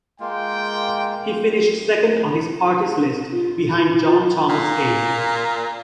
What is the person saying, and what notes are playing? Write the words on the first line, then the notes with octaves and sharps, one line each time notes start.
He finished second on his party's list, behind John Thomas Haig.
G#3 A#3 F4 G5
F4
E4
F4
A#2